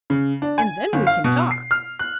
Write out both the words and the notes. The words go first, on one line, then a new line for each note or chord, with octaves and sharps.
And then we can talk.
C#3
D4
G#5
G1
F5
B2
C7
F6
F#6